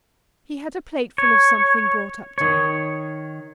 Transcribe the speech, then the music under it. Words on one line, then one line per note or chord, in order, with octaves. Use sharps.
He had a plateful of something brought up to him.
C#5
D#3 C#5